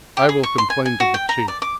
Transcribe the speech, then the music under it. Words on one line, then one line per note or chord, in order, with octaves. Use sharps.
I will complain to the Chief.
G4
G#4
C#6
C6
G#5
G#5
F#4
G5
A#5
D5
D6